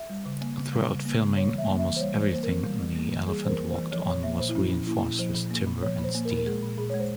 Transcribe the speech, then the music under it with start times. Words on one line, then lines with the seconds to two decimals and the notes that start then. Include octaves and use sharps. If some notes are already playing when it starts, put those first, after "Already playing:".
Throughout filming, almost everything the elephant walked on was reinforced with timber and steel.
Already playing: E5
0.10 G3
0.25 C#3
0.41 A#3
0.57 C#3
0.73 G3
0.89 C#3
1.05 A#3
1.21 C#3
1.37 G3 C#5
1.53 E3
1.58 E5
1.69 A#3
1.79 E5
1.85 E3
1.96 C5
2.01 G3 C#5
2.16 E3
2.22 C5
2.33 A#3 C5
2.43 A#4
2.48 E3
2.64 G3
2.80 E3
2.96 A#3
3.12 E3
3.28 G3 G#4
3.44 E3 C5
3.49 A#4
3.60 A#3
3.71 C5
3.76 E3
3.91 F3 C#5
4.08 A#2 C#5
4.23 A#3 E5
4.39 A#2 C5
4.49 E4
4.55 F3 C#4
4.71 A#2
4.87 A#3 E4
5.03 A#2
5.19 F3 C5
5.35 A#2
5.51 A#3
5.67 A#2
5.83 F3 C#5
5.99 A#2
6.04 C5
6.15 A#3
6.25 A#4
6.31 A#2
6.37 A#4
6.46 G#3 G#4
6.62 A#2
6.78 A#2 G#4
6.90 G#3 C#5
7.00 C5